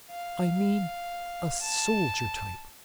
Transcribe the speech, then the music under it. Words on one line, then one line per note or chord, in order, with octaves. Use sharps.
I mean, a soldier type.
F5
A5